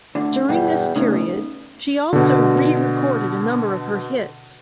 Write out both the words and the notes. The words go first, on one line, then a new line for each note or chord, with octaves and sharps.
During this period, she also re-recorded a number of her hits.
D2 D3
E2 G2 B2 F#5 G5
G1 C#3 A3 D#4
B2 D3